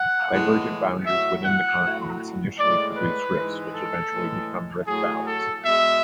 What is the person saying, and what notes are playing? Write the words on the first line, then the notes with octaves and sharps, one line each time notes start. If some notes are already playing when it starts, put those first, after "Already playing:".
Divergent boundaries within continents initially produce rifts which eventually become rift valleys.
Already playing: F#5
A2 E3 G#3
A2 F#3 E5
F#5
A2 F#3
A2 G#3 D5
B4
G#2 E3 G#3
A4
A2 E3 G#3
A2 F#3 G#4
A4
B2 G#3 E5